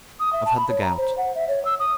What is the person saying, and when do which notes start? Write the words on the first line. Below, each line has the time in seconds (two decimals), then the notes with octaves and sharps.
I've had the gout.'
0.20 D#6
0.33 E5
0.46 A5
0.57 B5
0.69 C#5
0.82 A#5
0.98 C5
1.18 F#5
1.35 E5
1.48 C#5
1.65 E6
1.80 D#6